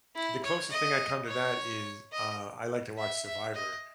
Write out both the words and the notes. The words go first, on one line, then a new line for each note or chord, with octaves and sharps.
the closest thing I come to that is, uh, I like to watch Survivor,
E4
C#5
D#5
C#5
D#5
E5
E5
D#5